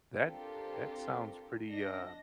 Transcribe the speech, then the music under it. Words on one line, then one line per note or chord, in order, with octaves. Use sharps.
that that sounds pretty, uh
C4 D4 F4 G4 A4 A#4
D4 D#5 A#6